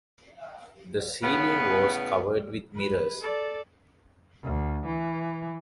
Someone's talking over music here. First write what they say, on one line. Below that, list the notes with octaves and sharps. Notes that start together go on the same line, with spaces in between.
The ceiling was covered with mirrors.
A2 C#3 B3 B4
B4
A4 D5
D2
E3